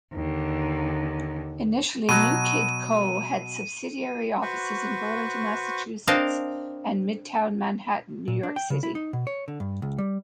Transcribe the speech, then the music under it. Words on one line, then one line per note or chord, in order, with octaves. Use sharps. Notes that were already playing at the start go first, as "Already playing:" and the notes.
Initially NewKidCo had subsidiary offices in Burlington, Massachusetts and Midtown Manhattan, New York City.
D#2 D3
B2 F#3 D#7
F#4 B4 C5 C#6
C4 D4 A#4 D#5 F5 A5
A#2
D4
G5
C#3
E4
D#4
B2
C#5
D3
G2
C#2
G3